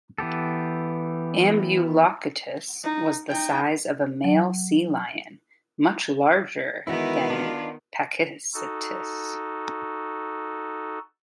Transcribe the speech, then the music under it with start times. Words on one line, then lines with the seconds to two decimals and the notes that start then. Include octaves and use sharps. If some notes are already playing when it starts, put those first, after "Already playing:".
"Ambulocetus" was the size of a male sea lion, much larger than "Pakicetus".
0.18 E3 B3 G4 A4
2.83 D#4
3.29 D#4 G5
4.24 F#3
6.87 D#3 E3 G#3 B3 E4 F#4
7.30 D4 F4
8.54 D#4 F#4 A4